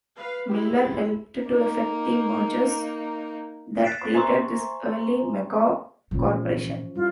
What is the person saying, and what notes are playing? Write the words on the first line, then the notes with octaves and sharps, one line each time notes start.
Miller helped to effect the mergers that created this early mega-corporation.
B4 F5
G#3 E4 G4
A#3 D#4
F#6 A6 B6 C7 D7 E7
C5 E5 G#5 A#5 C6 C#6
A#2 E3 F3 C#4
G3 E4 F4